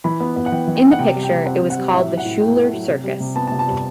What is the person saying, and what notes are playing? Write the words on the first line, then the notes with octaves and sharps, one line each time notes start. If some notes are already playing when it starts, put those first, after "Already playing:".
In the picture, it was called the "Schuler" circus.
E3 B5
B3
B3
F#5
E3 G5
E3
G5
B3
F#5
C3 G5
G3
G5
C3
C4 F#5
C3
F#5
G3
F#5
A2 E5
F#3
F#5
A2
A3 G5
A2
F#3
C3
G3
C3
B3 A5
A5
C3
A5
G3